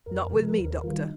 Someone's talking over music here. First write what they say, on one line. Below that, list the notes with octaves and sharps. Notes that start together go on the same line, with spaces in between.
'Not with me, Doctor.
F2 A#4
C3 F3
D#2 A#4
A#4
D#3 G3 F4
D#4